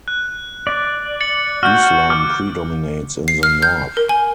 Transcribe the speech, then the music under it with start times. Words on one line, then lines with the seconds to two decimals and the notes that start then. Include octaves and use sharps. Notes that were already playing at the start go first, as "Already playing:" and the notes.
Islam predominates in the north.
0.08 F#6
0.67 D5
1.20 A6 C#7 F#7
1.63 F#4 F6 G6
2.10 D6 F6
3.28 C7
3.43 F6
3.62 G6
3.97 A#4
4.09 G#5